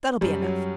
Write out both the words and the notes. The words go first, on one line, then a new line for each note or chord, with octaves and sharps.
"That'll be enough."
F#2 G3
F#3